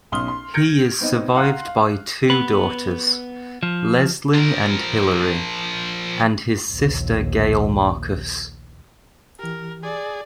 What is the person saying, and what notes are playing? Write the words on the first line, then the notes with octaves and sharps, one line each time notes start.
He is survived by two daughters, Leslie and Hillary, and his sister Gail Marcus.
B1 C#4 C6 D#6 F6 G7
C6
F6 G6 G#6 A#6 C#7 D7
B3 C4 D#4 D#5
F5 F#5 A#5 C6 F6 F#6
F5
B3 B4
F3
F3 A#4
A#1 D#2
E3 G4 A#4
G#4 D5